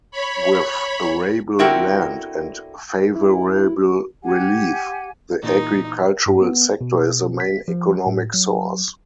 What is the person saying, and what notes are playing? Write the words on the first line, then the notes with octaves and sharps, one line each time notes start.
With arable land and favourable relief, the agricultural sector is the main economic source.
C#5 B5
D3 C4 E4 F#4 A#4 G5
E4
G4 F#5 G#5
A#2 E3 D#4
G2
B3
B2
B6
F3
A2
F#3